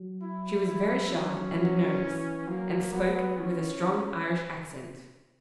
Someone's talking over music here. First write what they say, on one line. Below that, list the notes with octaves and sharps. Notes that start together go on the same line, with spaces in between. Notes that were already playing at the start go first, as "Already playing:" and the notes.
She was very shy and nervous, and spoke with a strong Irish accent.
Already playing: F#3
E4
F#3 E4
F#3 C#4
F#3
E3
F#3 A#3
F#3 B3
E3 C#4